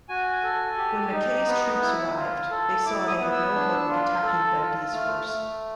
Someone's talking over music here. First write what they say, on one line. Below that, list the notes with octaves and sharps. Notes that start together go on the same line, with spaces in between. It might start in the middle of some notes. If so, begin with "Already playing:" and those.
When Mackay's troops arrived, they saw they had no hope of attacking Dundee's force.
F#4 G#5
A4
G4
D#4
B3
E4
F4
A4
E4 D6
D#6
B3
E6
D4
F4
A4
F4
A3 F6
A3